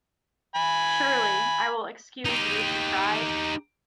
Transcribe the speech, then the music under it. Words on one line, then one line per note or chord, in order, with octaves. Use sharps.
Surely I will excuse you, she cried.
G#5 B5
D#4 G4